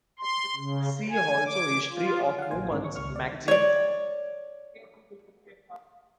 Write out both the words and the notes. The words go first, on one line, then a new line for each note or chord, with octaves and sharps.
See also history of women's magazines.
C6
C#3
G#5
D6
F4
F5 F#5
B1 A#2 A#3 C5 G#5
G#2 D#3 C4 A#4
C#6
C#2 C#6 F6
D2 D5
C#5 D5